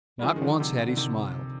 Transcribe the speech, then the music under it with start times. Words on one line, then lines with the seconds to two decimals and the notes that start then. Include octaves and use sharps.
Not once had he smiled.
0.19 G3
0.23 F3 G#3
0.36 D#3
0.42 D3 F3
0.60 C3 D#3
0.78 D3
0.88 D3
0.97 C3 D#3